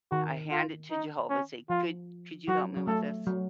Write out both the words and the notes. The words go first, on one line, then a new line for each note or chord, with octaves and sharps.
I hand it to Jehovah and say, "Could could you help me with this?"
D#3 F#4
F4
D#4
C#4
F3 F4
F#3 F#4
F#3
A3 A4
F#3